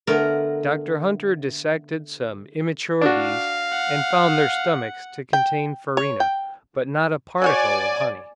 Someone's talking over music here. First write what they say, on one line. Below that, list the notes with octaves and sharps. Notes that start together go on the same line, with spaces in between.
Dr. Hunter dissected some immature bees, and found their stomachs to contain farina, but not a particle of honey.
D3 A3 B3 A#4
D4 F#4 F5
F#5
G5
C#5
G5
F#3 F#4 C#5 D5 G#5